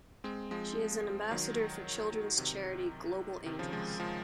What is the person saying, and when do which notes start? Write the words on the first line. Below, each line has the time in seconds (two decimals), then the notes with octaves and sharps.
She is an ambassador for children's charity Global Angels.
0.24 G#3 C4
0.51 F3 G#3
1.31 D#3 F#3
2.38 C3 D#3
3.46 C3 D#3
3.59 C#3 F3
3.73 F3 G#3
4.00 F3 G#3